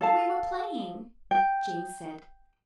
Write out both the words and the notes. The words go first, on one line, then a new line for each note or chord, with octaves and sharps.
"We were playing," Jean said.
A4 F5 A5
G5